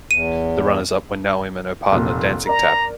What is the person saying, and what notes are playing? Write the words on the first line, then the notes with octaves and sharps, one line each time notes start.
The runners up were Naoimh and her partner, dancing tap.
E2 D#7
F1 A#2
A#4 D5 A#5